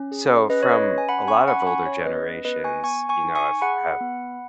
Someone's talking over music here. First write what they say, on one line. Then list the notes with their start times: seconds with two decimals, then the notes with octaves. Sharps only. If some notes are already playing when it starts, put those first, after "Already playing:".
So from a lot of older generations, you know have have
Already playing: C#4
0.12 G#4
0.50 C#4 B4 D#5
0.63 C#5
0.69 B4 D#5
0.88 C#4
0.98 G#5
1.09 F#5 B5
1.27 C#4 G#5 C#6
1.48 F#5 B5
1.60 B5
1.67 C#4 G#5 C#6
1.86 C#5
2.06 B3 B4 D#5
2.45 B3 B4 D#5
2.64 G#5 C#6
2.84 B3 G#5 C#6
3.09 G#5 C#6
3.23 D#4
3.35 G#5 C#6
3.61 G#4 F#5 B5
4.01 B3